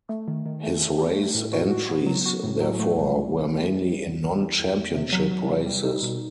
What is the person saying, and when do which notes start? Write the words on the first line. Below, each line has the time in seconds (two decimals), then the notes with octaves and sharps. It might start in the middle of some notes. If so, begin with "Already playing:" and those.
His race entries, therefore, were mainly in non-championship races.
0.09 A3
0.28 D#3
0.46 D#3
0.63 A3
0.81 A3
0.99 G4
1.16 A3
1.34 A2
1.53 F#4
1.70 F#4
1.89 B3
2.06 F#3
2.25 F#4
2.44 A2
2.61 F#3
2.79 A3
2.97 C2
3.15 C2
3.32 C2
3.51 C2
3.68 C2
3.87 C2
4.05 C2
4.23 E2
4.41 E2
4.59 E2
4.77 E2
4.95 C3
5.13 F#3
5.31 F#3
5.49 C3
5.66 G3
5.85 D#4
6.03 B2